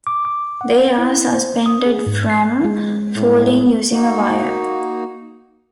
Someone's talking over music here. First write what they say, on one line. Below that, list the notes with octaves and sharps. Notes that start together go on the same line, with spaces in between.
They are suspended from falling using a wire.
D6
D6
F#5
E4
C5
D#6
G#4
G#2
C7
G#3
A2
A#3 D#4 F#4